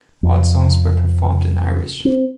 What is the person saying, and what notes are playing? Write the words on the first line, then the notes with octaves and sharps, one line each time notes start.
All songs were performed in Irish.
F2
C4